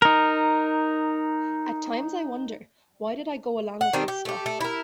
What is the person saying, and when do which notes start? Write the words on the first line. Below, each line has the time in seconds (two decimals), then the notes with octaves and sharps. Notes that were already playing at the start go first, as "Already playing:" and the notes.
At times I wonder, why did I go along with this stuff?
0.02 D#4 A#4
3.81 F#5
3.93 D#3 G3 C4 D4
4.08 G4
4.25 A3 G4
4.46 A3
4.61 E4 A#4